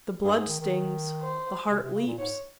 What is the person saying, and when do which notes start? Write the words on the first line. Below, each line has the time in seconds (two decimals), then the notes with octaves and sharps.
The blood stings. The heart leaps.
0.24 G2 G#4
0.36 G#2
0.48 D#3
0.61 D#3
1.22 C5
1.71 C3
1.82 C3
1.95 C#3
2.07 A#2
2.18 G#2 C#5